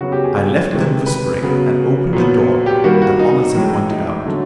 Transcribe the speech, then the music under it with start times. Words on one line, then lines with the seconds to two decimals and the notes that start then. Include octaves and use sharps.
I left them whispering, and opened the door that Hollins had pointed out.
0.01 C#3 F#3 B3 F#4
0.12 G4
0.24 G#4
0.36 G4
0.71 C3 D#3 G#3
1.06 B4
1.43 C#3 F#3 B3
2.13 A#2 F#3 B3
2.66 G4
2.84 D#3 G3 A#3 F#4
3.02 F#4
3.19 D#4
3.55 A2 E3 G#3
3.90 D#4
4.26 D3 F#3 A3